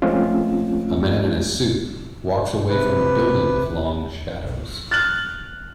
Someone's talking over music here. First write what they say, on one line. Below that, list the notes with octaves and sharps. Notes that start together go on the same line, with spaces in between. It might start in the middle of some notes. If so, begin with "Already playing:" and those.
A man in a suit walks away from a building with long shadows.
F3 G#3 A3 C4 C#4 F4
C3 B4
F6 F#6 A6 F#7